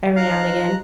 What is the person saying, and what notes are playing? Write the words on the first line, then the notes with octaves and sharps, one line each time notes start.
every now and again,
D#4 F4 F5 A#5 F#6